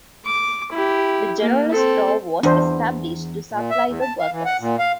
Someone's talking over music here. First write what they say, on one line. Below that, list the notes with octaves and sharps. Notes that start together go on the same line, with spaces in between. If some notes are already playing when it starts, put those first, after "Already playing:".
The General Store was established to supply the workers.
D6
E4 G4
A#3
C4 A4
E2 D4 C5
A#2
E5
E2
A5
F5
E3
F#5
A#2
F5